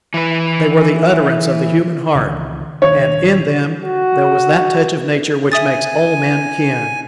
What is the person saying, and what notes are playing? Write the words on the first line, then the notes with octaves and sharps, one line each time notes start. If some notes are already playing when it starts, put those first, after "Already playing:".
They were the utterance of the human heart, and in them there was that touch of nature which makes all men kin.
E3 B4
C#2 D#3 E3
D#1 D#3 D4 C#5
F#4
E5 G#5 D#6 A6